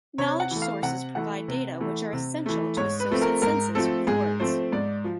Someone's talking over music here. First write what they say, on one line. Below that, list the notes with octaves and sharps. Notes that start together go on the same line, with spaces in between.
Knowledge sources provide data which are essential to associate senses with words.
C3 C#5
F#5
E3 A3
F5
C3 F#5
E3 A3 F#5
C3
E3 A3
C3
E3 A3
G#2 C#5
B4
F3 A3 C4
A#4
G#2 A#4
F3 A3 C4 A4
G#2 G#4
F3 A3 C4 C5
G#2 D5
F3